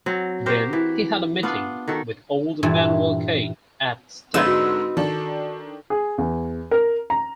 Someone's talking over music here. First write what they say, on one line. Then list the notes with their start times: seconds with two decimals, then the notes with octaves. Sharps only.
Then, he had a meeting with old Manuel Caeg at Sta.
0.06 F#3 C4
0.46 F#4 G4 A#4 C5
0.73 E3
1.43 B3 D4 F4
1.88 D#3 F#4 A4
2.63 G2 A#2 E3
4.34 G#2 D3 G#3 C4 D#4 B4 E6
4.47 F#4
4.97 D#3 D4 A4
5.90 G#4
6.18 E2
6.71 A#4
7.10 A#5